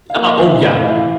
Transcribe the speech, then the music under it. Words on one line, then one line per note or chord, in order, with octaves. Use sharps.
Uh, oh yeah,
F5
A#3
D#5
D#3 F5
E5
A2 D#5
F5
E3
E5
F5